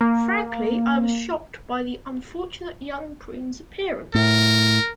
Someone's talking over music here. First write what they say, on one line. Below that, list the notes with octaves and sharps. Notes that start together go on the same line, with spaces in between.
Frankly, I was shocked by the unfortunate young prune's appearance.
A#3
A2 A#4